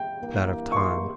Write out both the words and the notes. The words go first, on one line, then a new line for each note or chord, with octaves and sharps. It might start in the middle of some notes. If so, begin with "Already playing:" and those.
That of Time.
Already playing: G5
G2 E3 A#3 E4
C#6
C6